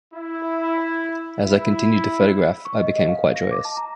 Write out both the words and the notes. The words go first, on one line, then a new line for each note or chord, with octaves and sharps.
As I continued to photograph I became quite joyous.
E4
E4
C#6
D#5
D#5
F5
A#6
D6
A5
A#5